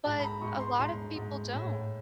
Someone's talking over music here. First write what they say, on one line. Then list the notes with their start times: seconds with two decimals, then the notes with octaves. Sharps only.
But, a lot of people don't.
0.05 G#2 A5
0.20 B5
0.23 A#5
0.41 G#2 C#6
0.60 C6
0.79 G#2 C6
1.16 G#2
1.52 A2